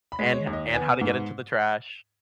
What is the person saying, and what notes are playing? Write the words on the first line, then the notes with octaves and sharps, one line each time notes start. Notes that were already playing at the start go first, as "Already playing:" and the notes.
and ho and how to get into the trash
B5
G#3
C#5
D#2
D#5
B3 G#5
G#2